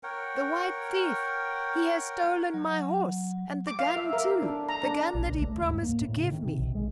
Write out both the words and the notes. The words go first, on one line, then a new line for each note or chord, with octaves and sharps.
"The white thief, he has stolen my horse, and the gun too, the gun that he promised to give me."
A#4 C#5 F#5 G5
F#3
D6
F5
E5
A#4
D4
A#5
D4
A#1
C#2
A3
D#2
G#2
A#3
A2
C#3
D#3
C3
B1
G#3